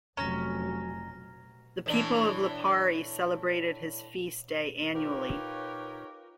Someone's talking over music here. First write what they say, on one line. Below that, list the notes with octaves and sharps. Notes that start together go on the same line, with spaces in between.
The people of Lipari celebrated his feast day annually.
F1 F#3 C#4 A#5 F6 A#6
A2 E3 D4
D#4 F4 G4 A#4 B4 C#5